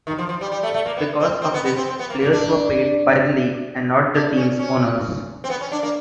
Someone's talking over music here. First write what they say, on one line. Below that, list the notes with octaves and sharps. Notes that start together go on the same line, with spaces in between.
Because of this players were paid by the league and not the team's owners.
D#3
F3
F3
G3
G3
A3
A3
A#3
B3
C4
C4
B3
B3
C4
C4
B3
A#3
A#3
D4
D4
C#4
C#4
C4
B3
C#4
D4
A#3